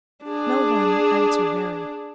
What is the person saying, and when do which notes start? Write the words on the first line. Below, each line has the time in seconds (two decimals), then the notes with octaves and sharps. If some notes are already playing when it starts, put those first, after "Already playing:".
"No one!" answered Mary.
0.25 D4 G#4